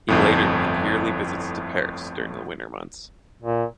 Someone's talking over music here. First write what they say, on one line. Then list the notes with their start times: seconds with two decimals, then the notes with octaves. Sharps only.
He later made yearly visits to Paris during the winter months.
0.08 G1 F2 A2
3.42 A#2